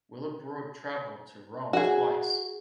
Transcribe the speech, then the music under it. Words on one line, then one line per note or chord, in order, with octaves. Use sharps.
Willibrord travelled to Rome twice.
F#4 G#4